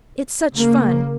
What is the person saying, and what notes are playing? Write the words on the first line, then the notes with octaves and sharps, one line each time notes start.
It's such fun!
C#3 A#3